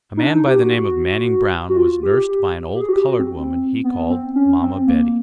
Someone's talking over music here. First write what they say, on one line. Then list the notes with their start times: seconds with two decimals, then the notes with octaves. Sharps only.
A man by the name of Manning Brown was nursed by an old colored woman he called mamma Betty.
0.17 D#4
0.22 D4
0.35 D#4
0.48 G4
0.61 F#4
1.69 F#4
1.77 F4
2.03 G4
2.29 G4
2.75 G4
2.81 G#4
2.89 F#4
2.93 G4
3.07 F#4
3.19 C4
3.84 B3
4.10 C4
4.35 C#4
4.62 C4
4.87 A#3